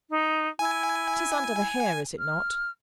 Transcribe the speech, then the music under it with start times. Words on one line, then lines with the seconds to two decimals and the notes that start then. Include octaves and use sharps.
It is under the hair, is it not?'
0.10 D#4
0.59 E4 G#5
2.19 F6